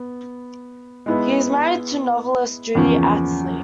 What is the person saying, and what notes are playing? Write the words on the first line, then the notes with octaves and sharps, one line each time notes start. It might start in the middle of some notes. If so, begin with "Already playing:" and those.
He is married to novelist Judy Astley.
Already playing: B3
G#3 B3 E4
E2 C#3 F3 A#3 C#4